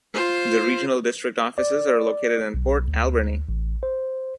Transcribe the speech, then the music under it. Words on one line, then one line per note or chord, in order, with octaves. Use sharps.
The regional district offices are located in Port Alberni.
F4 C5
D5
B1
D2
A1
C5